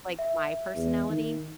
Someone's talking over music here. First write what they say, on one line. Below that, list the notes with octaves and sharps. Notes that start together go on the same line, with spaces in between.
like, my personality,
E5
E2
D#3